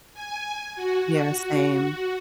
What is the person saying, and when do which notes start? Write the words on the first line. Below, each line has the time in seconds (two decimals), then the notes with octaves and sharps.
Yeah, same.
0.14 G#5
0.76 F#4